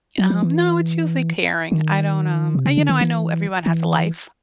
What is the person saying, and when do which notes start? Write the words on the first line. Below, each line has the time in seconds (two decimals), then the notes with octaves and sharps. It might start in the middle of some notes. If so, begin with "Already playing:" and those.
Um, no it's usually tearing. I don't, um, I you know, I know everyone has a life,
0.18 F#3
0.30 F3
0.42 E3
1.72 D#3
2.55 C3
2.66 C#3
2.77 D3
2.89 D#3
3.01 E3
3.66 E3